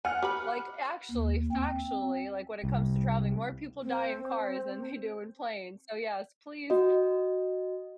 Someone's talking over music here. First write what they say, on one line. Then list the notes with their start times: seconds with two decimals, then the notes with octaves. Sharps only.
like actually, factually, like, when it comes to traveling, more people die in cars than they do in planes, so, yes, please
0.05 F#5 G#5 F6
0.22 G4 B4 B5
1.11 D#2
1.51 C4
2.64 C2
3.82 C4
6.70 F#4 D#5